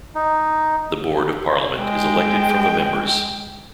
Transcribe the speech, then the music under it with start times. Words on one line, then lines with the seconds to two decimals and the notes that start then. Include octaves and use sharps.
The board of parliament is elected from the members.
0.15 D#4
1.79 G#3 G5